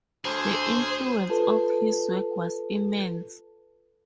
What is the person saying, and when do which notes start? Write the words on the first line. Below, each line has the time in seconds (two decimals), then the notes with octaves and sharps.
The influence of his work was immense.
0.25 D2 G#4 C5
1.30 F4 A4 B4 A5